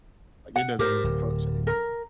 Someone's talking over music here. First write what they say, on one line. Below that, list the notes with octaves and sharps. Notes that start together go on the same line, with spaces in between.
like, it doesn't even function anymore.
F#5
G#2 G4 A#4 C5
D1
A#4